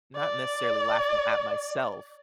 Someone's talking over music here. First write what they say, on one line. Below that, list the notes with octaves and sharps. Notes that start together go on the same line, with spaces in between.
not necessarily laughing at myself.
D5